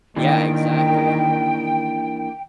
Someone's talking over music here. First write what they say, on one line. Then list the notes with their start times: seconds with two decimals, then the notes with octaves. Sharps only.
Yeah, exactly.
0.16 D#3 E3 A#3 D4 G5